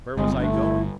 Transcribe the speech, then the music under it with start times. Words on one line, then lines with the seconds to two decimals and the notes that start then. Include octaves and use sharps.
Where was I going?
0.17 G1 G#3 C4
0.39 A3 D4
0.52 E4